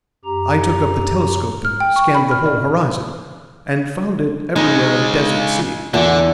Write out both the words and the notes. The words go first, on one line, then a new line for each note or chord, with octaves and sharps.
I took up the telescope and scanned the whole horizon, and found it everywhere a desert sea.
F#2 G4 A#5
F6
G5
C#6
B5
F6
D5
C#3 G#3 D#4
E2 D3